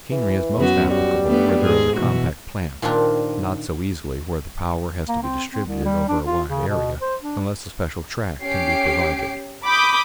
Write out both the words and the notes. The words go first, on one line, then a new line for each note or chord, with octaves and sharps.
Machinery is most applicable where there is a compact plant; not so easily where the power has to be distributed over a wide area, unless a special track can be provided.
E3
F#2 B3 F#4
G3 F#4
A3 B3 D4
G#2 G#4
B2 E3 F#4
A#2 D#3 C4 D4 A#4
A#3
C4
C4
C2
G3
D4
F4
C#3
B2
C5
D4
C#4 G4 C7 D7
B5 D6 D#6 G6